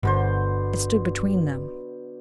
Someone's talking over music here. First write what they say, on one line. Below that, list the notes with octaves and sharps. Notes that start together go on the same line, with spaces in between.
It stood between them.
G1 B2 D3 C5